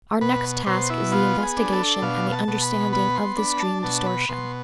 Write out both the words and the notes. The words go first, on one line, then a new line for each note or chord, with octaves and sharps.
Our next task is the investigation and the understanding of this dream distortion.
B2 B4
B2 C5
E4
B3 F4
G#4
D4
A4
B2 F5
A5
B2
B5
B3 B5
C6
D4 B5
A5
B2 A5
B5
B2 C6